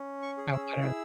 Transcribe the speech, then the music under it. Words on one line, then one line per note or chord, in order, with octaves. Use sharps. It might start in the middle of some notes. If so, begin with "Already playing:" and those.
I wanna
Already playing: C#4
C#6
G#4
E6
E4 E6